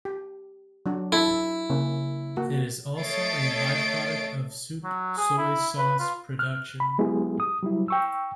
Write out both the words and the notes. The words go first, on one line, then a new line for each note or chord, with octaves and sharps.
It is also a byproduct of soup soy sauce production.
G4
F#3 D4 F#4
E4 A4
C#3 A#3 C#4
A#3 F#4
A3 C#5 D#5 A6 C7 D7
F#3
G#4
E4
B4
F4
F6 F#6
B5
F#3 G#3 B3 E4 G4 G#4
D#6
F#3 G3 E4
G5 C#6 E6